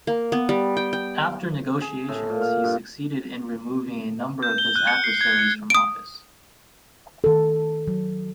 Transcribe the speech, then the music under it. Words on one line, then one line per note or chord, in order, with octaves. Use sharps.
After negotiations he succeeded in removing a number of his adversaries from office.
A#3
B3
G3
G5
G5
G#4
A2
A#2
F5
G2
G6
G7
F#6
C#7
C7
G#6
C#7
D#6 D7
D#3 A4
F#3